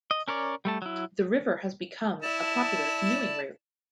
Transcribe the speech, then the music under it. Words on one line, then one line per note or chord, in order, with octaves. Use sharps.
The river has become a popular canoeing route.
D#5
C#4 A#4 C#5 D5
G3 A3 A5
F#3 E4
E4 D5 A5